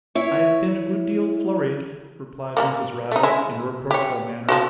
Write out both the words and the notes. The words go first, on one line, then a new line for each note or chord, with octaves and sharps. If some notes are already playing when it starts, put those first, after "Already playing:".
'I have been a good deal flurried,' replied Mrs. Raddle, in a reproachful manner.
E4 C#5
G3 A3 A#3
A3 D#4
G#3 E4
G4 C#5
F3 C4 F#4